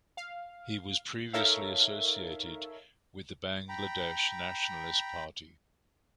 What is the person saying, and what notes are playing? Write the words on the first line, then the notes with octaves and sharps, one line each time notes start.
He was previously associated with the Bangladesh Nationalist Party.
F5
D#4 A4 A#4 C#5 E5 F5
G5 A#5 B5